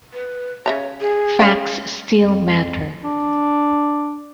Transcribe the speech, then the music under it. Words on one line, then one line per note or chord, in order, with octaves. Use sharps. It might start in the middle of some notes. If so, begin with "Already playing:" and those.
Facts still matter.
B4
C#3 C#5 E5 A#5
G#4
C#4 F5 G5
F2
D4